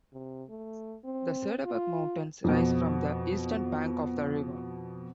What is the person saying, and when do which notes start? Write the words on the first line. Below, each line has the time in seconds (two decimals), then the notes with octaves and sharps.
The Cederberg mountains rise from the eastern bank of the river.
0.13 C3
0.49 A3
1.04 C4
1.65 F4
2.44 F2 B2